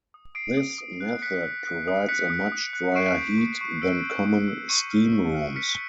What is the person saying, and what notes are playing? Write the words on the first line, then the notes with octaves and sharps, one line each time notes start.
This method provides a much dryer heat than common steam rooms.
D#6
D#6 C7 D7
D#6
D#6
F#6
F#6 B6 C#7
F#6
F#6
D#6
F#6 B6 C#7
D#6
D#6
F#6
C#6 C7 D7
G6
C#6
C#6
E6 C7 D7
G6
C#6
E6
C#6 C#7 D#7
F6
C#6
F6
F6 B6 C#7